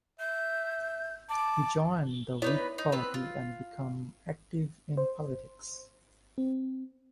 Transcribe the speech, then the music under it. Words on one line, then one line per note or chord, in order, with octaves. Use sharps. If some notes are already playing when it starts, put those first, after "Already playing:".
He joined the Whig Party and became active in politics.
E5 G6
A5 D6
B3 D#4 E4 B4 C#5 D5
D#4
B3 C4 B4
F4
C5
C4